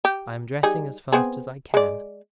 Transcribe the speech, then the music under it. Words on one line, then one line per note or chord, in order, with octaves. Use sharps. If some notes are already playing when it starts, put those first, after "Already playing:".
I am dressing as fast as I can.
G4
G3 D#4 G#4
B3 C4 G#4
G#3 D5